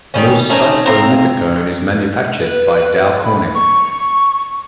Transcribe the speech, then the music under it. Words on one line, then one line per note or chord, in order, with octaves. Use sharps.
Most cyclomethicone is manufactured by Dow Corning.
D#3 G3 C#4
A3 C#4 D#4 C5
C4 F5 A#5
B4
B5
C#6